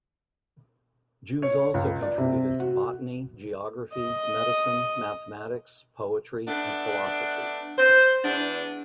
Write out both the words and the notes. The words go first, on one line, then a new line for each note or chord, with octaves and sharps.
Jews also contributed to botany, geography, medicine, mathematics, poetry and philosophy.
C#5
C#2
D5
C3
F#4
D#5
A3 B3 D4
C5
E2 B3 D4